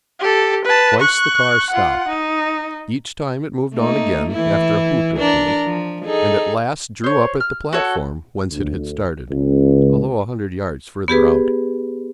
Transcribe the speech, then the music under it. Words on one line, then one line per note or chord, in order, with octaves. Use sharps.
Twice the car stopped; each time it moved on again after a hoot or two, and at last drew up at the platform whence it had started, although a hundred yards further out.
G4 A4
B4 A5
C#6 F#6
F4 F#5
D#4
A3 A#3 D#4
E3 E4
D4 A#4
F3
D#4 G#4 A4
C5 C#5
F6
F#4 A4 C#5
D2
C#2
B3 G4 G#4 B4